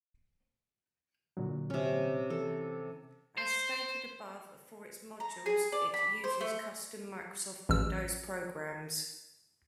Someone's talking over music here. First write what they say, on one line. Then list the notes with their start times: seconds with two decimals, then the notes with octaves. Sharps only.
As stated above, for its modules it uses custom Microsoft Windows programs.
1.37 A#2 D3 F#3
1.70 C3 C#4
2.30 E3 A4
3.37 C5
5.20 A#5
5.46 G#4
5.72 D5
5.94 B5
6.24 C5
6.41 A3
7.69 A1 E6